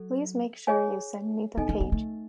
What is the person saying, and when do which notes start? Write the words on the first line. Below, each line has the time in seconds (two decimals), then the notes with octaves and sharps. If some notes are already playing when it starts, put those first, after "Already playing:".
Please make sure you send me the page.
Already playing: F#3 A4
0.67 G#4 C#5 G#5
1.57 B3 D#4 A4 D#5 G#5
1.69 C#4
1.81 B3
1.92 A3